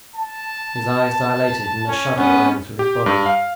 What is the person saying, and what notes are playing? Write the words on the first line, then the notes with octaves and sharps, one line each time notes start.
His eyes dilated and a shudder ran through his body.
A5
C#4
B3 C#4
G4
G2
F5